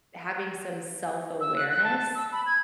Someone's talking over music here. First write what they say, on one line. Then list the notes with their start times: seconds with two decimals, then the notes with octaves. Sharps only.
having some self-awareness
1.40 E6
1.56 F#6
1.70 F#6
1.83 A5
1.97 A5
2.15 E6
2.32 B5
2.45 G#6